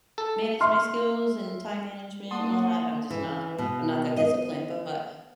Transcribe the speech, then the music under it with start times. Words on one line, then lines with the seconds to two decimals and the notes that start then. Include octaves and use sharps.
manage my skills and time management and all that I'm just not I'm not that disciplined, but
0.18 A4
0.61 E5 C6 F6
2.30 A#3 F#5 A5 C6 D#6
3.10 E3
3.58 B2
4.17 D#5